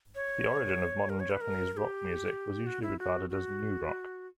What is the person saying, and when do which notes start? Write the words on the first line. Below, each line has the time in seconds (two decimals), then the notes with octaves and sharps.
The origin of modern Japanese rock music was usually regarded as new rock.
0.15 C#5
1.09 A#4
1.20 C#5
1.30 B4
1.41 A#4
1.73 A#4
1.77 G4
2.66 F#4
2.82 E4
2.99 F#4
3.30 F#4